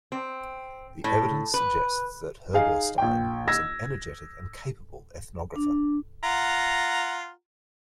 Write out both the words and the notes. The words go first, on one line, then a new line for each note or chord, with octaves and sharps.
The evidence suggests that Herberstein was an energetic and capable ethnographer.
C4
A2
B4
D#4 G#4 F5
A#1 G5
E6 G#6 A#6
D4
F4 F#5 A#5